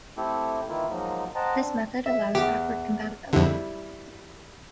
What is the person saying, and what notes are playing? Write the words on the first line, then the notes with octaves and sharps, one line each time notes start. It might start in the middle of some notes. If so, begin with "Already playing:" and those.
This method allows backward compatibility.
A3 C4 E4 G4 A4
D#3 E3 A#3 E4 F4
F3 F#3 G#3 A#3 D#4
C5 D#5 F#5 G5 A5 A#5
C4 D4
E5
E2 G4
F2 D3 G3 E4